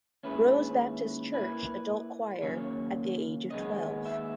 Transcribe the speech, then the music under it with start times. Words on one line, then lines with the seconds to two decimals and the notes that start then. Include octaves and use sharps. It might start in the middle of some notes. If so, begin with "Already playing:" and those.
Rose Baptist Church adult choir at the age of twelve.
0.23 D#2 D#3 G#3 C#4 E4 B4
1.33 A#2 A#3 E4 B4
2.41 D#2 C#3 F#3 A#3 C#5
3.51 D#2 D#3 G#3 B3 D#5
4.06 E5